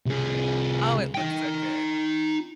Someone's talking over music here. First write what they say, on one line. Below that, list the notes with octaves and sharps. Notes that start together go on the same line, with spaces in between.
Oh, it looks so good.
C2 G#4
D#4 G5